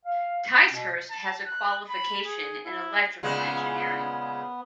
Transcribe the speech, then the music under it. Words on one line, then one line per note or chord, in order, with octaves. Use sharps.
Ticehurst has a qualification in electrical engineering.
F5
C#4
B2
A5
F#6
B5
G#4
E4
A#2 C#3 G#3 B3